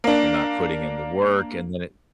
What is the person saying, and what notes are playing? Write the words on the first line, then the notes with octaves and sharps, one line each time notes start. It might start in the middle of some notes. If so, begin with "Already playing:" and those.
They're not putting in the work, and then it
A#3 D4